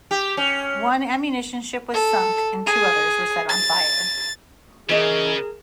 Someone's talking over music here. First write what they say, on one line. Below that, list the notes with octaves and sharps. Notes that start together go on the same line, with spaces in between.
One ammunition ship was sunk and two others were set on fire.
G4
C#4
A4
G#4
A6
C#3 E3 G#4 A#4 D#5